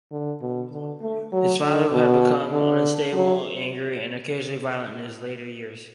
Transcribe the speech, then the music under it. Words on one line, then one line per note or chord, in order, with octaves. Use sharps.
His father had become unstable, angry and occasionally violent in his later years.
D3
B2
D3
A3
F#3
D3
B2
D3
F#3